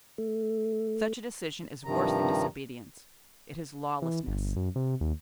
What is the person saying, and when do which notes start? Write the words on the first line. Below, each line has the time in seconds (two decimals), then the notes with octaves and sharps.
Such a decision is worse than disobedience--it is lawlessness.
0.18 A3
1.85 G2 C3 D#3 F3 A#5
4.02 E3
4.27 G1
4.56 F#2
4.76 C3
5.01 D#2